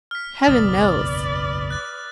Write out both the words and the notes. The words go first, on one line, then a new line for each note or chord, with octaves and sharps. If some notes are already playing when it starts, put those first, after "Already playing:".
"Heaven knows...."
F6 B6
F#1 B1 E2 B4 D5 D6 D#6 A6
F#6 A6